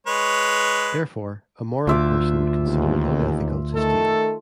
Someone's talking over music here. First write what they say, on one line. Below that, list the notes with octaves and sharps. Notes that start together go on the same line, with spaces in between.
Therefore, a moral person would consider it unethical to steal.
G#3 B4 C#5
D2 F4 E5 D6
D#2
D#3 A3 A4